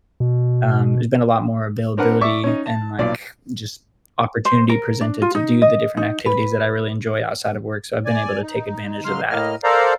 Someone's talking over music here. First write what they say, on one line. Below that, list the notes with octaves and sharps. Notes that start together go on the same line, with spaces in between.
um, there's been a lot more availability and, like, just opportunity presented to do the different activities that I really enjoy outside of work so I've been able to take advantage of that,
B2
C4 D4 A#4 B4 F#5
D5 E5 C#6 D6
C#4 D#4
A5
B1 A#2 D5
C5
A#4
D4
F4
D#4
D#5
D#4
B4
D5 G#5
D#4
C#3 F#3 G#3 C6 F6
A2 A#3 D#5 F6
A4 A#4 C5 D5 F5 A#5